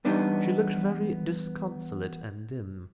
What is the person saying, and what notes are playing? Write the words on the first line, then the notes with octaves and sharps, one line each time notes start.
She looked very disconsolate and dim.
E2 G3 B3 D4 D#4